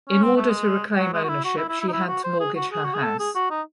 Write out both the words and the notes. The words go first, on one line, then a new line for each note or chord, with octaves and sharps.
In order to reclaim ownership she had to mortgage her house.
C#4
C4
A3
G#3
F#3
G#3
F#4
E4
F#4
E4
E4
E4
D#4
E4
F#4
C5
G#4
F#4
G#4
F#4
G#4
A4
G#4
F#4
D#4